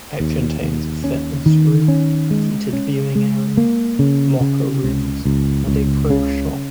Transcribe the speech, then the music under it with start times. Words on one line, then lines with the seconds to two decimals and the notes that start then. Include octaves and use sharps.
It contains a fitness room, heated viewing area, locker rooms, and a pro shop.
0.20 D#2
0.62 D#2
1.04 C#4
1.46 D#3
1.88 C#4
2.31 G#3
2.73 C#4
3.15 G#3
3.57 A#3
3.99 C#3
4.41 C#3
4.84 C#2
5.25 C#2
5.67 C#2
6.10 C#3